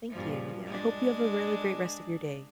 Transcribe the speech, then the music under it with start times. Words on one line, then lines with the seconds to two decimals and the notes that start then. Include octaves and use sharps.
Thank you, yeah, I hope you have a really great rest of your day.
0.10 G2 A#2 F3
0.66 G#3 D4